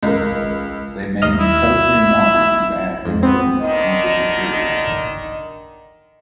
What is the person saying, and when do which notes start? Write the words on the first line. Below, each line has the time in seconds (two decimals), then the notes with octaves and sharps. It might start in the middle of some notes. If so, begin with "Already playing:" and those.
They may be soaked in water to add density to the material.
0.03 C#2 A#4
1.22 D#2 D#5 F6
1.39 E4
3.05 F2
3.23 B3 C4
3.59 D3 D#3 D#5